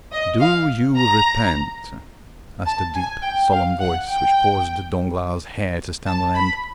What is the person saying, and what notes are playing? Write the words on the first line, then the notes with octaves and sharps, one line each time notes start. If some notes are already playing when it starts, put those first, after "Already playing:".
"Do you repent?" asked a deep, solemn voice, which caused Danglars' hair to stand on end.
D#5
F5
A#5
A5
G#5
G5
F5
F#5
G5
A5
B5